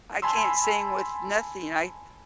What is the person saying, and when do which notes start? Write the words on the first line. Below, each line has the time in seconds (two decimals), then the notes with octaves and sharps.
I can't sing with nothing, I
0.22 G#5 A5 B5 C6 E6